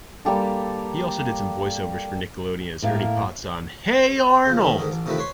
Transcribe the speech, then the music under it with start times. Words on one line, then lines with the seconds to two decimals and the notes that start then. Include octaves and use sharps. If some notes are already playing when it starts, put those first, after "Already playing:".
He also did some voiceovers for Nickelodeon as Ernie Potts on Hey Arnold!
0.25 G3 A#3 G4 A4
2.82 A2 A#3 F5
4.46 C#3 F3
4.62 G2 D#3 A3
4.78 G#2 D3 D#3
4.91 A1
5.06 C3 D#3 F3 A3 E4 B4
5.18 B4 C#5 C6 C#6